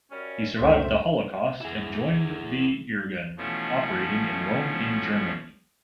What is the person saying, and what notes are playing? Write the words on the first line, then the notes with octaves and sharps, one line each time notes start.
He survived the Holocaust and joined the Irgun, operating in Rome and Germany.
F#2 G3 C#4
C#2 F#2 A3 C5 E5
E4 G#4
B2 E3 F3 A3 C#4